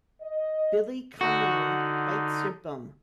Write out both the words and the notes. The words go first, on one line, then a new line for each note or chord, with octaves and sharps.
Billy Connolly Bites Yer Bum!
D#5
D3 D#4 F#4